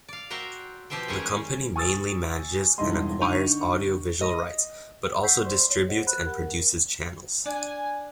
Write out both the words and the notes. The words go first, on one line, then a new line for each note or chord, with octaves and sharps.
The company mainly manages and acquires audio-visual rights, but also distributes and produces channels.
D5 F5
F#4 A#4 C5 E5 G5
B2 F3 G4 C5 E5 G5
D#3 G3 G#3 C#4 G#4 C#5
G#5 C#6 D#6 E6 A6
E1 G2 D#4 E4 D#5 C6
D3 D#4 C#6 G6 D#7 F7
D#5
F#5 C#6 E6 G6 B6 C7
C5 D5 C6
C#5
G#4 C5 D#5 F#5
C5 B5 F#6
G4 A#4 F#5
D4 G#5